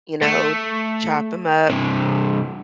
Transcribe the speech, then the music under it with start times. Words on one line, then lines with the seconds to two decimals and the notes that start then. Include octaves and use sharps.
you know, chop ‘em up
0.22 A3
1.69 G2 C3